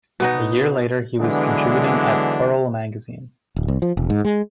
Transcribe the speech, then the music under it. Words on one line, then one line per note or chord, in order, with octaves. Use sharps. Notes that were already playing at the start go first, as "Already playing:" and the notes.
A year later he was contributing at "Plural" magazine.
B2 B3 D#4
D3 E3 F#3 G#3 B3 D4
D1
C2
F3
E1
G#2
G#3